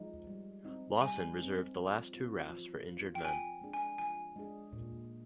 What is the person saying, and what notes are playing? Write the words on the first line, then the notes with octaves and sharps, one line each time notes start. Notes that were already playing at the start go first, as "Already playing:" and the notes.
Lawson reserved the last two rafts for injured men.
Already playing: F3 G#3 D#4
G3
C4 D#4
G3 G#5
C4 D#4
F3
C4 F4
F3
C4 F4
G5
F3 G#5
G#3 D4 G#4
G#5
F3 G#5
G#3 D4 G#4
A#2